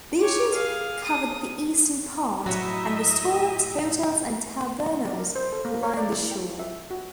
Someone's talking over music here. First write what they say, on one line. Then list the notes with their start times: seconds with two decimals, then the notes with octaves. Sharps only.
Beaches cover the eastern part and restaurants, hotels, and tavernas line the shore.
0.20 G4 C#5
0.52 G#4 F5
1.04 D#6
2.46 A2 F#3 F#4 C#5 D#5 E5 A#5 B5
5.06 D5
5.19 A#4
5.36 C5
5.53 A4
5.65 A#3
5.83 C#5
5.97 D5
6.09 E4
6.31 G5
6.59 E5
6.91 F#4